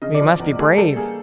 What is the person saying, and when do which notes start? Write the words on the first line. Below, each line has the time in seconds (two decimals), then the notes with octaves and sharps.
We must be brave.
0.02 C#3 D#5
0.15 D5
0.20 F3
0.40 E2
0.59 A3 G#4
0.78 G3 A4
0.96 A#3 G#4